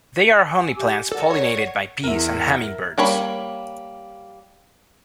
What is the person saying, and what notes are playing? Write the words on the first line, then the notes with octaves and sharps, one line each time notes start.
They are honey plants pollinated by bees and hummingbirds.
G#5 E6
G4 G#5 D6
A4 A#4 D5 F#5
C#5
E2 E4 A#4
G3 A#3 C#5 B5